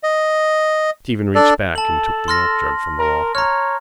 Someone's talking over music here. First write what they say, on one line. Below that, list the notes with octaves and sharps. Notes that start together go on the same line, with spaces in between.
Stephen reached back and took the milkjug from the locker.
D#5
D4 A4 D5
A4 A5 F#7
C6 F6 A#6
A#4
C#5 A#5 F6